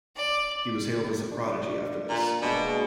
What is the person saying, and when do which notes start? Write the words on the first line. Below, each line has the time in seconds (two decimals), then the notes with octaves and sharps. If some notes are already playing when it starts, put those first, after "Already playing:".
He was hailed as a prodigy after this.
0.16 D5
1.31 D4
2.09 A#2
2.42 B2 G#3 A#3 D4